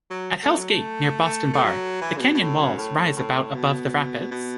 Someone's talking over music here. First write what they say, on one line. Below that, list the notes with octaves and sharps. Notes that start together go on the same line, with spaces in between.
At Hells Gate, near Boston Bar, the canyon walls rise about above the rapids.
F#3
A3
F#3
A3
A3
A3
F#3
E3
C#3
B2
B2
A2
F#2
A2
A2
B2
B2